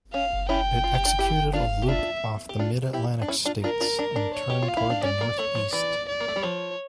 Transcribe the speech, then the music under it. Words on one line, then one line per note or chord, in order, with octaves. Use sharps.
It executed a loop off the Mid-Atlantic states and turned toward the northeast.
C#4 F5
C#4 E4 G5
F4
G4
D4 F4
E4 G4
D4 F4 F5
G4
D4 F4 E5
G4
D4 F4
E4 G4
D4
C#4 E4
D4 F4
D4 F4 A#4
D4 F4
D4
D4
C#5
G4
F4
F5
E4
D4
C#4 D5
A#3
A3 C#5
F3
E3 D5
D5
A#3
A3
G3
F3 C#5